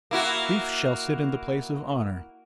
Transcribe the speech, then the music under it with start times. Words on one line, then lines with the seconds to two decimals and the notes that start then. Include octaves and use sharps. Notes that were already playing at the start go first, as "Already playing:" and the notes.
"Leif shall sit in the place of honor."
0.11 A#3 E4 F#4